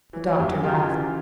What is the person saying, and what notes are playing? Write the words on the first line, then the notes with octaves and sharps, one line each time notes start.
The doctor laughed.
E3
F#2 G4
F#4
C#3 F4 G4
E3